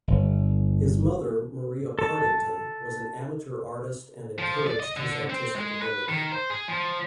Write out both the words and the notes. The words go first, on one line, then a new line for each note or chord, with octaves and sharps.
His mother, Maria Partington, was an amateur artist and encouraged his artistic ability.
G1
A4 A5
F3
D5
D#5
D3
C4
G#3
B4
D#3
C5
G#4
F3